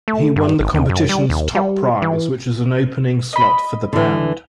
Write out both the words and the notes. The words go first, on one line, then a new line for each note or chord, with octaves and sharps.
He won the competition's top prize, which was an opening slot for the band.
A3
G2
G#1
D#2
F#2
G3
D#2
G3
E3
D#5 B5
D3 E3